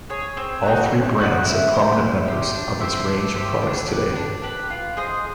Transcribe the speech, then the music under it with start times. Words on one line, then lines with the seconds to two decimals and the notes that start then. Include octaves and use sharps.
All three brands are prominent members of its range of products today.
0.10 G#4 C#5
0.37 C4
0.63 D#4 F#4 B4
0.91 C4
1.18 D#4 F#4 B4
1.45 E4
1.72 G4 C5
2.00 E4
2.26 G4 C5
2.54 D4
2.80 G4 C5 E5
3.08 D4
3.34 G4 C5 E5
3.62 D4
3.88 G4 B4
4.15 D4
4.43 G4 B4
4.70 F4
4.97 G#4 C5 D#5